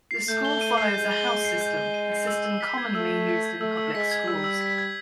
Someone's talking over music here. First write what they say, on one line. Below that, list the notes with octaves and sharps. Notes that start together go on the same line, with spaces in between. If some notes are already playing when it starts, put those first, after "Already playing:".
The school follows a house system, a system commonly used in public schools.
C7
A3 G6
G7
D#7
C7
G#3 G6
G7
D#7
C7
G6
G7
D#7
C7
E6
E6
B6
G#6
A3 E6
E6
B6
G#6
A3 E6
E6
G#3 B6
G#6
G3 E6
E6
B6
G#6